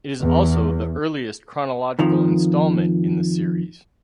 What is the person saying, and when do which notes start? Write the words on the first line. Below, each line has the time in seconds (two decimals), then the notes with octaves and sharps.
It is also the earliest chronological installment in the series.
0.21 E2
1.99 F2 D#3 F3